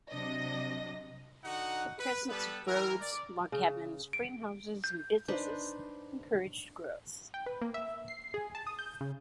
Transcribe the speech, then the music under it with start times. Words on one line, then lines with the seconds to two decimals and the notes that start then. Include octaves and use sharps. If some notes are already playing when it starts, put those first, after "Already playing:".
The presence of roads, log cabins, frame houses, and businesses encouraged growth.
0.10 C3 F#3 D4 D#5 A#6
1.43 D3 D#4 F#4 F#5
1.98 B4
2.28 G3 B3 G4 A4 B4
2.66 E3 A#4
3.00 D5
3.52 C#3
4.13 D7
4.84 G6
5.28 D4 D#4 B4 C5
7.34 G5
7.46 B4
7.61 A#3
7.74 E5
8.08 C7
8.34 G#4
8.55 A5
8.67 D#6
8.79 G6
9.01 C#3